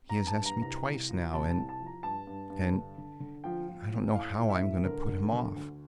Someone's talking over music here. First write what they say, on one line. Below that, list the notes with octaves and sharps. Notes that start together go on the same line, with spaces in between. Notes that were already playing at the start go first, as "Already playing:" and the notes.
He has asked me twice now and--and--I don't know how I am going to put him off.
A#5
G2
A5
G2
A#5
C2 A#5
C2
F3
C3 A5
A5
C2
A5
F3
A#5
G2 A5
G2
G2
D3
D3
D3
F3 G5
F3
A2
A2 F5
A2
E5
A2
D3 A#4
D3
D3
D2